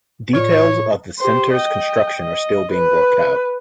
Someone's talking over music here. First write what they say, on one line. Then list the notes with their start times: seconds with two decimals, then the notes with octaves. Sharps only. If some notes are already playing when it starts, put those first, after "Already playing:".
Details of the Center's construction are still being worked out.
0.34 A2 F4 C#5 D5
1.20 G4 C5
1.55 D#5 G5
2.19 D#5
2.72 B4